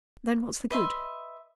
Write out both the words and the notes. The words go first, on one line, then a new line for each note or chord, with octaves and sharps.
"Then what's the good?"
B4 D#5 E5 C6